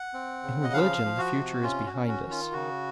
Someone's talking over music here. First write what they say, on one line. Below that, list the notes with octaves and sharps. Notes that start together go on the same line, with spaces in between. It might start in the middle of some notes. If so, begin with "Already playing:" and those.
In religion the Future is behind us.
Already playing: F#5
C4
C#3
D#5
F3 F5
F3
F#4
C3
C#4 F4
F#4
C#4
F#4
D#3
F4
C#3 F#4